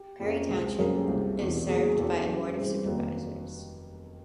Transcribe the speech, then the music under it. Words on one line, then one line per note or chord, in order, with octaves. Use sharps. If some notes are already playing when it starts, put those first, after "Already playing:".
Perry Township is served by a Board of Supervisors.
Already playing: G4
F2 C#3 F3 A#3 C#4
C#2 C3 F3 G#4
F#1 F#2 C#3 F3 G#4 A#4
G4 A4
C2 C3 F3 G#3
E1 E2 C3
E2 C#3 F#3 A#3 C#4 G#4
G#4
F#1 E2 C#3 F#3 G4 A4
F#2 C#3 E3 G#3
G2 E3 G#3 C4
F1 D#2 D#3 F#3 A#3 A4 B4